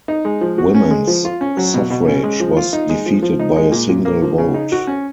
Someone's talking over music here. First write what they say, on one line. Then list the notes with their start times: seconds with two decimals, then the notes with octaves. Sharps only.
Women's suffrage was defeated by a single vote.
0.08 D#4
0.25 G#3
0.41 F3
0.58 F#4
0.74 C#4
0.91 G#3
1.07 F3
1.25 F4
1.41 C#4
1.57 F#3
1.74 B2
1.90 B2
2.07 C#4
2.23 G#3
2.40 F3
2.57 F4
2.73 D#4
2.89 G#3
3.06 F3
3.22 F3
3.39 D#4
3.56 G#3
3.72 A#2
3.89 A#2
4.05 A#3
4.22 F3
4.38 C#3
4.54 D#4
4.72 F#4
4.87 C#4